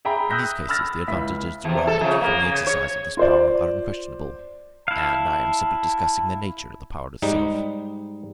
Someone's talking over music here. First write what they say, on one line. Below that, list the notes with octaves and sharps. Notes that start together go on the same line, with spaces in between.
In these cases the advantages derived from the exercise of this power are unquestionable, and I am simply discussing the nature of the power itself.
G#4 E5 G5 A#5 B5
D#6 E6 F#6 G6 A#6 B6
B5 E6 F6 A6 A#6
C#2 E4 B6
E2 C3
A4
F2 C#3
A#3 B3
C#3
C#5
F4 C5 D5
E4 F5 A5
G#2 G3 D#4